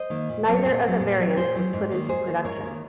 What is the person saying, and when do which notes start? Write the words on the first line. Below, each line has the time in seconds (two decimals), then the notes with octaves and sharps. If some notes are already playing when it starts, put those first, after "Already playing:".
Neither of the variants was put into production.
Already playing: C5 D#5
0.10 D#3 A#3
0.29 A#2
0.47 F#3 C4
0.55 C#5
0.64 A#2 G#4 C5
0.83 F#3 C4
1.00 A#2
1.19 F#3 C4
1.37 A#2 G#4 C5
1.55 F#3 C4
1.73 G#2
1.91 D#3 A#3
2.08 G#2 G#4 C5
2.27 D#3 A#3
2.44 G#2 A#4 C#5
2.63 D#3 A#3